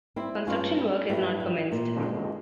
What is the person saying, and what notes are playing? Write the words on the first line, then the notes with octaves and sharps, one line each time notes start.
Construction work has not commenced.
G3 C4 E4
G2 C#4 F4
G3
G2 E4 G4
G3
A#2
G#3